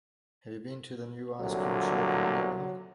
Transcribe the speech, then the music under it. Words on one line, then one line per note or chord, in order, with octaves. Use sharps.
Have you been to the new ice cream shop in neighborhood?
C2 A#2 D3 F#3